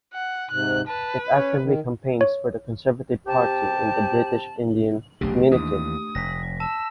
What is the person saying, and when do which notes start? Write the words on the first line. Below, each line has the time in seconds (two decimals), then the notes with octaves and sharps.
It actively campaigns for the Conservative Party in the British Indian community.
0.14 F#5
0.51 G#2 C3 F#6
0.88 B4 A5
1.32 C#4 C#5
1.61 D#3
2.21 C#5
3.26 C3 G4 G5 A5
5.21 E1 B1 C#3 A3 D4 G4
5.51 D#2 E3 D#6
6.15 F1 A#6 B6
6.60 A5 E6 E7